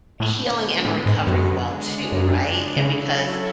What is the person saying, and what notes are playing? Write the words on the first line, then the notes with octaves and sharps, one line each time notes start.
healing and recovering well too, right? And because
A2 D3 G#3 B3
A2
G#2
F#2
C#3 G#3 D4
F#2
C#3 F#3 C#4 E4 A4